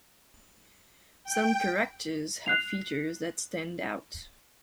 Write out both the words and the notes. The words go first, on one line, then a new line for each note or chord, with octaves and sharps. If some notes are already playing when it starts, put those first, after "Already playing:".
Some characters have features that stand out.
G5
F#6 C7 F7